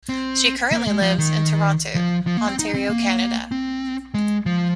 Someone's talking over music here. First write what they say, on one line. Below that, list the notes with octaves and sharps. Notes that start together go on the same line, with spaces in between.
She currently lives in Toronto, Ontario, Canada.
C4
A#3
G#3
F3
D#3
F3
F3
A#3
C4
D#4
C4
A#3
C4
G#3
F3